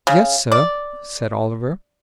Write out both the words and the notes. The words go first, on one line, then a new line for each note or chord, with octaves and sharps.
'Yes, sir,' said Oliver.
C#3
D5